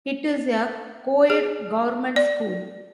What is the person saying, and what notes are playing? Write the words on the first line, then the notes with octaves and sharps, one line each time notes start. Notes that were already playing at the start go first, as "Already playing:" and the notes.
It is a co-ed government school.
G#4
D5